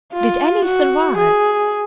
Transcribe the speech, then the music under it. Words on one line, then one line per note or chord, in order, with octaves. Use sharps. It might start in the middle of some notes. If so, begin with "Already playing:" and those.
Did any survive?
F4
F#4
G#4